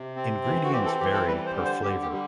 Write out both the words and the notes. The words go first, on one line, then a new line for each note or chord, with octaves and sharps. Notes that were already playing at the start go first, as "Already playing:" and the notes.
Ingredients vary per flavor.
Already playing: C3
C4
E3
F#4
C4 G4
A4
E3 G4
A4
G3 B4
C5
D3
C5
D3 G4
G4
G3